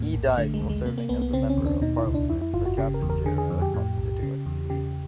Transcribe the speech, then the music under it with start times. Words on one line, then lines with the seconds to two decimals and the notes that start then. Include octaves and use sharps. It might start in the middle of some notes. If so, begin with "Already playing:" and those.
He died while serving as the member of parliament for Kapenguria Constituency.
Already playing: D#2 A2 A#3
0.13 A#1
0.37 D3 A3
0.54 G#3
0.61 D#2
0.69 G#3
0.85 C3 A#3
0.98 A#3
1.09 C2 B3
1.22 B3
1.33 C#3 C4
1.50 C#4
1.57 D#2
1.66 D4
1.82 B2 D#4
1.98 E4
2.05 C#2
2.14 D4
2.29 F2 E4
2.41 E4
2.54 G1 F4
2.65 F#4
2.78 C#3 G4
2.94 A#4
3.02 E2
3.10 A#4
3.26 D3 G#4
3.38 G#4
3.50 F2
3.62 G4
3.74 A2
3.98 B1
4.23 C#3
4.46 E2
4.70 C#3 G4